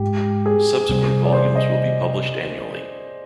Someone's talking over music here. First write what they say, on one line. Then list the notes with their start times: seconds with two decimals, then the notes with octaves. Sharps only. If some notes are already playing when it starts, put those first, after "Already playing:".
Subsequent volumes will be published annually.
Already playing: G#2 G#3 G4
0.46 G#4
0.89 C3 G3 C4
1.25 D5
1.33 C5
1.55 D#5